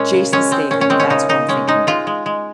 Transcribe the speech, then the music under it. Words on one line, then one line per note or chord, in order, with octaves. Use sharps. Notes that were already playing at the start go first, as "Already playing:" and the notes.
Jason Statham, that's who I'm thinking of.
Already playing: A#2 G#3 C#4
C#3
G#3 C#4
G#3 C4
A#2 C#4
C#4
G#3 C4
C#4
C#3 D#4
C#3 D#4
G#3 C#4
G#3 D#4
G#3 F4
G#3
G#3